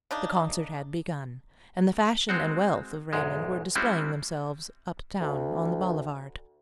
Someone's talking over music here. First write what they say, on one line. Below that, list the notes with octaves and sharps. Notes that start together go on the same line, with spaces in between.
The concert had begun, and the fashion and wealth of Raymond were displaying themselves up town on the boulevard.
C#3 D4 D#4
G#3 C4 F#4
B1 E2 G#2 G#3
G3 G#3 C4 C#4 E4 F#4
D2